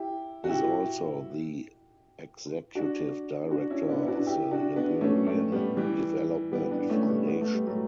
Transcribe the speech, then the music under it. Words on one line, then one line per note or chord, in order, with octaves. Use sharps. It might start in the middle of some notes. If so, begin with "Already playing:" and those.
He is also the Executive Director of the Liberian Development Foundation.
Already playing: E4 G4
F#4
E4 G4
D4 F#4
D4 F#4
C#4 E4
B3 D4
E4
D4 F#4
E4 G4
D4 F#4
B3 D4
A3 C#4
A3 C#4
G3 B3
E3 G3
G3 B3
B3 D4
A3 C#4
G3 B3
B3
A3
G3
F#3 A3